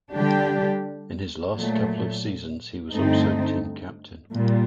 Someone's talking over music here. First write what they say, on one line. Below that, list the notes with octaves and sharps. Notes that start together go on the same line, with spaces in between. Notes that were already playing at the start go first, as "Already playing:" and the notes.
In his last couple of seasons he was also team captain.
D3 G3 D4 G4
A#2 F#3 A3
G2 D3 A3 C4 D#4
A#2 G3